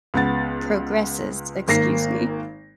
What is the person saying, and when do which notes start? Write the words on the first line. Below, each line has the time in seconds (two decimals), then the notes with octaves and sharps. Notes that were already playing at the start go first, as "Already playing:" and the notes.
progresses, excuse me.
0.14 C#2 B3 F#5 A6
1.68 G#1 A#3 A#6 C7